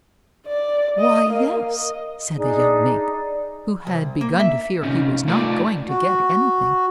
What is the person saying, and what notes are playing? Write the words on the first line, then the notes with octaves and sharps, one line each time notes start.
"Why, yes," said the young Mink, who had begun to fear he was not going to get anything.
D5
D#5
A#3
D#5
D4 D#4 G#4 D5
C2
A#3
E5
C3 C#4 D#4
A3 D#4 F4 A4 A#4 D5
F#4